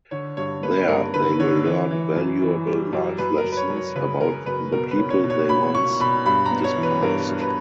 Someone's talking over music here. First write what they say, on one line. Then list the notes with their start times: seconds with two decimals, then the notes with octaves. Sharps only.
There they will learn valuable life lessons about the people they once despised.
0.11 D3 C#5
0.37 G2 C#5
0.63 A#3 B4
0.88 G2 A#4
1.14 D3 B4
1.39 D3 C#5
1.65 E3
1.91 E3
2.16 F#2
2.42 E3
2.67 G3
2.93 F#2
3.18 F#2 B4
3.38 A#4
3.44 F#2
3.52 B4
3.57 C#5
3.70 F#2
3.76 C#5
3.96 C#3 B4
4.21 C#3 A#4
4.46 F#2 B4
4.72 B2 A#4
4.91 B4
4.98 C#4
5.10 C#5
5.24 B2
5.30 C#5
5.49 A#3 B5
5.74 C#4 C#6
6.00 B2 B5
6.26 G2 B5
6.46 A#5
6.51 B3
6.64 C#5
6.77 E3
6.83 B4
7.02 G2 A#4
7.29 G2
7.41 B4